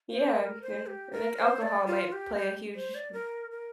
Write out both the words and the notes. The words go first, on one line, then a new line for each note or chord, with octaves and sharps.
Yeah, and I think alcohol might play a huge
C5
A#4
C5
G4
A#4
C5
D5
F4
G4
G4
C5
D5
A#4
A#4